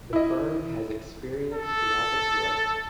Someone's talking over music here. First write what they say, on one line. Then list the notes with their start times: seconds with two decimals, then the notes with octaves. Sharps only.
The firm has experienced rapid growth.
0.13 E4 D#5
1.53 A4